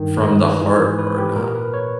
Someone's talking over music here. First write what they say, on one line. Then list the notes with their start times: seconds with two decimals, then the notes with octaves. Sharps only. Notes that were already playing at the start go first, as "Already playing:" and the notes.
from the heart or not,
Already playing: G2 D#3
0.24 D#5
0.43 B4
0.61 G#2 E3
0.98 B4
1.18 G4
1.36 A#2 A#4
1.46 A#4
1.55 B4
1.74 C#5